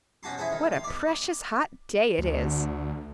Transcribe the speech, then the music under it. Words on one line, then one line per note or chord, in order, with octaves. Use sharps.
"What a precious hot day it is!"
B2 C#4 F#4 A5 C6
E4 G#4 A4 C5
D#3
F5 C6
B3 D5
D2